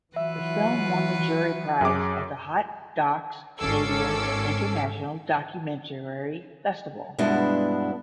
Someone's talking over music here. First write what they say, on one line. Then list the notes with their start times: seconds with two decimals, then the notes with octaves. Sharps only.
The film won the Jury Prize at the Hot Docs Canadian International Documentary Festival.
0.16 E3 F#3 F4 F#4 B4 E5
1.81 F#2 G#4 D6
3.59 G#1 C#4 A4 D6 E6 C7
7.18 G2 B2 G#3 B3 D4 E4